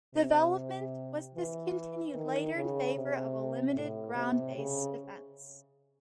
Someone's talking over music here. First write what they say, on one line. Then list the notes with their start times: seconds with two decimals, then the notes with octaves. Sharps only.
Development was discontinued later in favor of a limited ground-based defense.
0.15 C3
1.35 E3
2.15 D#3
2.55 C#3
2.96 C3
3.76 A2
4.15 C3
4.55 C#3